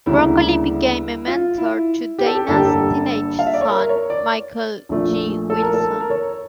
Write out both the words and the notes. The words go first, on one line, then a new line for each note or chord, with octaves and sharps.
Broccoli became a mentor to Dana's teenage son, Michael G. Wilson.
D2 C#3 G3 A#3 E4
F4
E4
G4
A4
G4
G1 G2 D3 G3 A#3 A4
G4
A4
F5
E5
D5
C#5
A#4
C#5
D5
A#1 A#2 F3 A3
A4
A#4
A4
A#4
C#5